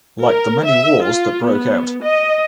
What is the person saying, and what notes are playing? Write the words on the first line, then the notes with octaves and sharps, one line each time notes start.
Like the many wars that broke out.
A#4
E5
F4
B3
D#5